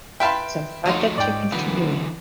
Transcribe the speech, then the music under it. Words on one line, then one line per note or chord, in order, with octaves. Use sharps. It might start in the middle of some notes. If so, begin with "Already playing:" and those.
Some projects are continuing.
E4 B4 F5 G5 A5 C6
F3 F#3 A3 D#4 F4 F#4
G#2 D5 G5
D3 E3 F#3 B3